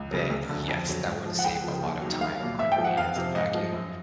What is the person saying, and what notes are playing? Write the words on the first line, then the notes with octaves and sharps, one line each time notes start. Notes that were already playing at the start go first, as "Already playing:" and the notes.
then, yes, that would save a lotta time on your hands to vacuum,
Already playing: C#2
C#3 F#3
D2
D3 F#3
F2
D3 F#3
G#2
F3
F#5
C#2 G5
C#3 F3
D#2
D#3 F#3
C2 F5
A#2 F#3
G#2 E5
G5
F3
F#5
F2 F5
C3 F3
G#2 D#5
F3
F#2